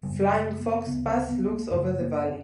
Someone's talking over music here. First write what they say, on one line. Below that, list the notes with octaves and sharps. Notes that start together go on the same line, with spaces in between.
Flying Fox Pass looks over the valley.
F#2 C#3 G3
A3
A#3
D2 C#3 B3
C4
B3
A#3
F#2 C#3 A3
A#3
C#4